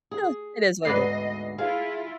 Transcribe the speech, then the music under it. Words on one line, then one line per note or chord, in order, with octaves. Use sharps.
Ha, it is what it is.
G#4
D2 G#2 B3 B4 D5 D#5 C7
E4 F4 G#4 F5